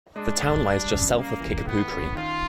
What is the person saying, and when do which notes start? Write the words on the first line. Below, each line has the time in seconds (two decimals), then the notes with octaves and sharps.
The town lies just south of Kickapoo Creek.
0.15 G#3 D4
0.40 G#3
0.65 G3
0.90 C#3
1.15 C#3 A#3
1.40 E3
1.66 A2 B3
1.91 C#4
2.15 D#3 F4